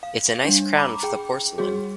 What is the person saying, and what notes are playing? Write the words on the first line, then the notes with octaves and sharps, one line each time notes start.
It's a nice crown for the porcelain.
F5
G3 D4
A#5 B5 D6
G#4 G5
G3 F#4 G#4